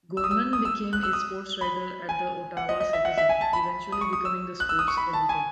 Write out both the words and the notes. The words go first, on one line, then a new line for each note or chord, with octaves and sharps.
Gorman became a sports writer at the "Ottawa Citizen", eventually becoming the sports editor.
E6
D#6
E6
D#6
E6
F#6
E6
D#6
B5
G#5
F#5
D#5
D#5
E5
F#5
E5
G#5
A5
B5
D#6
C#6
D#6
E6
F#6
E6
D#6
C#6
B5
A5
G#5